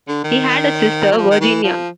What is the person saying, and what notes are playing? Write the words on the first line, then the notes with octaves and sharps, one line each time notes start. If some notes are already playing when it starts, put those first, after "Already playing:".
He had a sister, Virginia.
D3
D#3
F#3
F3
D#3
E3
F3